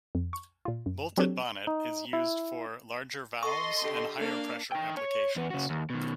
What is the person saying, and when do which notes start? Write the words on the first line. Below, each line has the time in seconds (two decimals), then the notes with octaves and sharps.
Bolted bonnet is used for larger valves and higher pressure applications.
0.15 F2
0.33 C#6
0.65 A#2 F4
0.86 F#2
1.18 F#3 C4 D4 G4 A4 C#5
1.67 D#4
2.13 E4
3.43 A4 D#5 C6 C#6
3.82 D3 G4
4.18 A#3 D4 F5
4.72 D#4 G5
4.97 C#5
5.36 E2 B3
5.51 C#3 F#4
5.70 D#2
5.90 B2 D#3